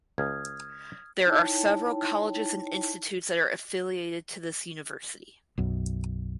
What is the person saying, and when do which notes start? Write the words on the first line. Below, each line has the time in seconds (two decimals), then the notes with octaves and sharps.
There are several colleges and institutes that are affiliated to this university.
0.18 C#2 D#6 F6 G#6
1.26 D#4 E4 C#5 G5 A5
5.58 B1 F#2